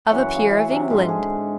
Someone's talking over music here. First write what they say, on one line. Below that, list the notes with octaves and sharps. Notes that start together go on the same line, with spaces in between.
Of a peer of England.
F#2 E3 C#5 F#5
G#4 F5
E3
C3 F#3
G#2 D3
G#4